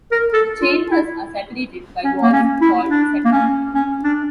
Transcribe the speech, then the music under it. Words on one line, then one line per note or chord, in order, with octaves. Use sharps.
The chambers are separated by walls called septa.
A#4
A4
F4
E4
C#4
A#3
C#4
E4
D4
A#3
C#4
C#4
D4